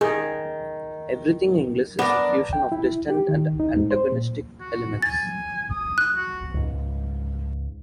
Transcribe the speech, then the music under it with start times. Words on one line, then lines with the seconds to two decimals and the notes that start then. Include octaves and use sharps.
Everything English is a fusion of distant and antagonistic elements.
0.01 D#3 G#4
1.99 B3 D4 A#4
2.53 G5
2.72 E4
3.10 G4
3.28 D#3
3.60 D#4
3.77 G#2
3.91 C5
4.12 A#2
4.60 F#4
5.02 G#5 A6
5.71 D#6
5.98 F#6
6.16 F#4
6.54 C#2 G#2